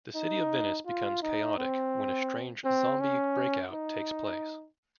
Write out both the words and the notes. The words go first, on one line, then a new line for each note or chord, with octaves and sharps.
The city of Venice becomes chaotic when a strange zombie breakout takes place.
D#4
F4
D#4
C4
C4
C#4
D#4